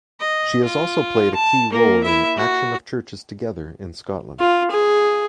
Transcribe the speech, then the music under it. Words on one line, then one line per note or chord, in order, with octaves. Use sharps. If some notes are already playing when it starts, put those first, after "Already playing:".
She has also played a key role in Action of Churches Together in Scotland.
D#5
F4
A5
A#3 A#4
E4 E5
F#4
F4
G#4